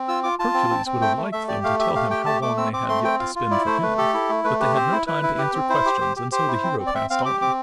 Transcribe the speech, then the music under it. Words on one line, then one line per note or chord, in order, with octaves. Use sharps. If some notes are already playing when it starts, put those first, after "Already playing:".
Hercules would have liked them to tell him how long they had yet to spin for him, but they had no time to answer questions and so the hero passed on.
Already playing: C4
F4 E6
F4 D6
F4 A5
C4
C4
C4
A3 G5
A3
A3 E5
G4 D5
A3 F5
G4 E5
A3 F5
G4 G5
A3 A5
A3 D6
C4 E6
C4 D6
A3 C6
C4 G5
F4 F5
F4
E4 D5
A3 C5
A3 B4
G4 A4
E4
A3
A3 B4
G4 B4
C4 C5
E4
E4 B4
E4
G4
C4
E4 C5
G4
G4
G4
G4 C5
E4
C4
C4
D5
C4 E5
C4 F5
G4 D6
C4 D6